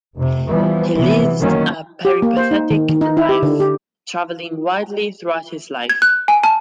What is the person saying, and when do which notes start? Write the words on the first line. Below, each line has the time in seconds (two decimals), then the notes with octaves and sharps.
He lived a peripatetic life, travelling widely throughout his life.
0.17 F1 C3
0.47 E3 F3 G3 B3
0.99 C3 E3 B3
1.40 D#3 F#3 A#3 C#4
2.05 G4
2.22 A#3
2.37 C5
2.51 D#4
2.71 D#3
2.89 D#3
3.01 D#4
3.17 E4
3.29 G4
3.43 D3
3.60 G4
5.89 G#6
6.02 F#6
6.28 G#5
6.43 A5